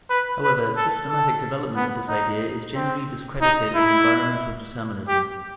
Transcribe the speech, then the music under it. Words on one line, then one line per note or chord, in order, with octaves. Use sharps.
However, systematic development of this idea is generally discredited as environmental determinism.
B4
B4
A4
A4
B3
D#4
C4
D#4
E4
G4